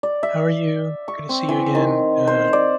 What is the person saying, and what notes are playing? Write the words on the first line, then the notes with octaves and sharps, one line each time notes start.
how are you, good to see you, again,'" uh
D5
E5
C#6
C4
E3
D#3
C5
D5